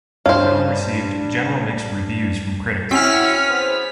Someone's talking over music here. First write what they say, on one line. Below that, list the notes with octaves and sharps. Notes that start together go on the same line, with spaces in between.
The film received general mixed reviews from critics.
G2 C5 C#5 F5
C4 C#4 E4 F#4 G#5 F6 B6
E2 B3 C5